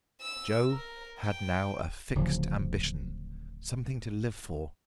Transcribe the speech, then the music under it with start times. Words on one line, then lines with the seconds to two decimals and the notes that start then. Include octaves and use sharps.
Joe had now a fixed ambition--something to live for.
0.22 E6
0.71 A#4
1.20 G5
2.15 D1 C#3 F3